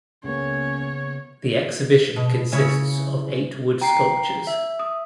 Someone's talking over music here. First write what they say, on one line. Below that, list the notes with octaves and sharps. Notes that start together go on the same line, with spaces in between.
The exhibition consists of eight wood sculptures.
C#2 C#3 A#3 B3 C#4 C#5
B2
C#3 E4 C#5
G5 A#5 C7
E5
D#6